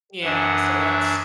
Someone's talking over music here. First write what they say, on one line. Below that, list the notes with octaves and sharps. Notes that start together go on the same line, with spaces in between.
Yeah, so, that's,
F#2 E3 D4 F#5
E5